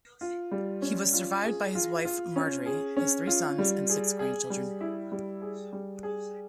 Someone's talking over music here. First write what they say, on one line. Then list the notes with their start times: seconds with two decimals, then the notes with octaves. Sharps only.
He was survived by his wife, Marjorie, his three sons and six grandchildren.
0.21 F4
0.52 G3
0.82 C#4
1.13 F4
1.44 G#4
1.75 F4
2.05 F4
2.36 C#4
2.66 G#4
2.97 C#4
3.27 F4
3.58 G3
3.89 G#4
4.19 G#4
4.50 G3
4.81 E4
5.12 G3
5.42 G#4
5.73 G3
6.03 G#4